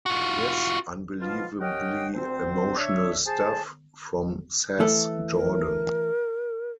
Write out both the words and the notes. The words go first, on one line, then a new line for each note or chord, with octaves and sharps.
This unbelievably emotional stuff, from Sass Jordan.
F4 F#4
B2 F3 F4
C#4 G4 A#4 D#5 F#5 G5
D2 C4 C5
D4 C#5 E5
G#4 C5 A5
E3 A3 A4
A#4